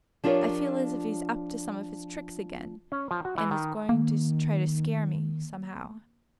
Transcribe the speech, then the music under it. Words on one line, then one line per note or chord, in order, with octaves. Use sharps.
"I feel as if he is up to some of his tricks again, and is going to try to scare me, somehow."
F3 D4 F4 G4 A#4 C#5
C#4
F3
F#4
E3
D#3
D#3 A#3